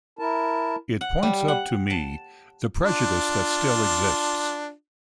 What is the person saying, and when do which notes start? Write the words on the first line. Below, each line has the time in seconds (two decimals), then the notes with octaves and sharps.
It points up to me the prejudice that still exists.
0.19 E4 A#4 A5
1.01 F#5
1.23 G3
1.48 F#5
1.90 A5
2.83 D4 F4